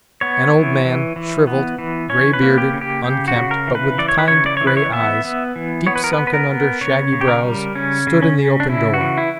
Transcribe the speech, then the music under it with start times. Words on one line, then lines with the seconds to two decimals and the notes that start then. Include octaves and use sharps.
An old man, shriveled, gray-bearded, unkempt, but with kind gray eyes, deep-sunken under shaggy brows, stood in the open door.
0.21 B3 C#5
0.53 E3
0.85 E3
1.16 E3
1.47 B3
1.79 E3
2.10 C#4 C#5
2.33 B4
2.42 A#3
2.58 G4
2.73 C#3
2.81 G4
3.04 C#3 G4
3.28 F#4
3.36 C#3
3.51 A#4
3.67 E3
3.75 B4
3.98 E3 D5
4.08 C#5
4.19 B4
4.28 C#3 C#5
4.46 D5
4.57 E3 C#5
4.67 B4
4.77 C#5
4.92 B3 E5
5.25 B3
5.56 E3
5.87 B3 C#5
5.96 B4
6.04 A#4
6.13 B3 B4
6.27 B4
6.34 A#4
6.49 B3
6.81 C#3 C#5
7.13 C#3
7.21 G4
7.28 A#4
7.44 G3
7.75 C#3 C#4
8.07 C#3
8.22 C#4
8.38 C#3
8.60 D4
8.69 C#3 E4
8.94 F#4
9.01 E3
9.18 E4